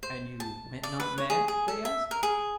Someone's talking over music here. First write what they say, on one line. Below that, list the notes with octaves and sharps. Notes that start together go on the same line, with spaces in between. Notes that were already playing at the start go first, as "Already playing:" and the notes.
"And you went not mad?" they asked.
C5
A5
D5
B4
C#5
G#4
G#4
A4
E5
A#4
G#4